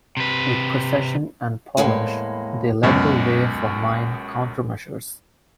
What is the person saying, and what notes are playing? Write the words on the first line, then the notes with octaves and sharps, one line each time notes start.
With precision and polish, they led the way for mine countermeasures.
C3 B4
E2 A2 G#3 A#3
C#2 F#2 B2